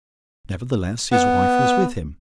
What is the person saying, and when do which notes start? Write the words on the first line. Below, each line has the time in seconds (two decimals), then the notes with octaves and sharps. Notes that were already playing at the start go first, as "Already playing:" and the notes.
Nevertheless, his wife was with him.
1.12 B3